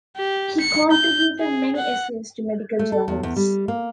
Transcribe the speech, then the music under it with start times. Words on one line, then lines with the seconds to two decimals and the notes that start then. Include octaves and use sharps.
He contributed many essays to medical journals.
0.17 G4
0.60 C#7
0.91 G6
1.40 G#4
1.76 F#5
2.79 A3
2.92 A4
3.08 E2
3.23 E2
3.36 G3
3.68 A#3